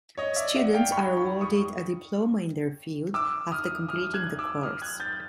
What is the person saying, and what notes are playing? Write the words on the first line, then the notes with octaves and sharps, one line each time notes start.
Students are awarded a Diploma in their field after completing the course.
C#5 D#5
D5 E5
E5 F#5
F5 G5
B5 C#6
B5 C#6
C#6 D#6
D6 E6
D#6 F6
D#6 F6
F#6 G#6
D6 E6
D#6 F6
F#6 G#6
G6 A6